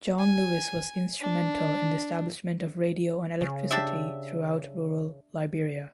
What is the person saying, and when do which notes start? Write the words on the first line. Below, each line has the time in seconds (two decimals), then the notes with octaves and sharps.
John Lewis was instrumental in the establishment of radio and electricity throughout rural Liberia.
0.19 G#5
1.21 D4
3.41 C#3
3.71 D4 G4 E5